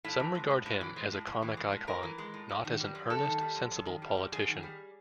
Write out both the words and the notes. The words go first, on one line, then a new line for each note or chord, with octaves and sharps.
Some regard him as a comic icon, not as an earnest, sensible politician.
A2 E5
E3
G#3
A2
A2
E3
G#3
A2
A2
E3
G#3
A2
A2 A#4
E3
G#3
A2
F#2
D#3
G3
F#2
F#2 A4
D#3
G3
F#2
F#2
D#3
G3
F#2
F#2 G#4
D#3
G3